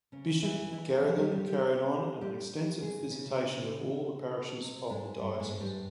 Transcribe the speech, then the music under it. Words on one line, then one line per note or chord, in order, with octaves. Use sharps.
Bishop Garrigan carried on an extensive visitation of all the parishes of the diocese.
C#3 C#4
E3 E4
E3 E4
F3 F4
G3 G4
G3 G4
G3 G4
G3 G4
G#3 G#4
C#3 C#4
C3 C4
G#2 G#3
G2 G3
A#3
G#2 G#3
G2 G3